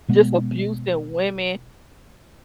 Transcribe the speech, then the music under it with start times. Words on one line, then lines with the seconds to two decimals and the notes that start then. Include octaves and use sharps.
Just abusing women,
0.08 B2 G#3 B3